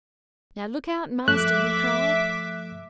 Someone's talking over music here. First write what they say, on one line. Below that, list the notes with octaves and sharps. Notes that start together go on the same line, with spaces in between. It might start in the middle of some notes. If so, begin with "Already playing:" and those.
"Now, look out, master!" he cried.
G2 F3 A3 E5 D6 F#6